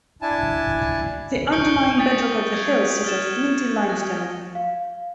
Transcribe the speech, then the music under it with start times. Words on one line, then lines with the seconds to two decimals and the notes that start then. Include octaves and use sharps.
The underlying bedrock of the hills is a flinty limestone.
0.22 D4 E4 G#5 A5
1.52 C#6 G6 C#7 D7 F#7 G7
1.98 D#6 G6 A6 B6 C#7 F#7
2.54 G#6
3.04 F6 A6 E7
3.90 A#6
4.55 F5